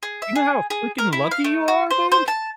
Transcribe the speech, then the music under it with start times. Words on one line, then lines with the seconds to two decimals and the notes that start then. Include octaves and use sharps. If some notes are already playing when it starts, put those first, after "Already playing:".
You know how freaking lucky you are, man?
0.03 G#4
0.22 E5
0.35 G#4
0.70 G#4
0.98 A#4
1.13 E4
1.31 F5
1.44 A3
1.68 F#4
1.91 C5
2.12 C5
2.28 A5